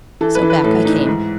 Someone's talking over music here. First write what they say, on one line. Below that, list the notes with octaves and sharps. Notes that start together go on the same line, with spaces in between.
So back I came.
E3 A4
B4
E3
B4
A2 A4
E3 D#4
G#2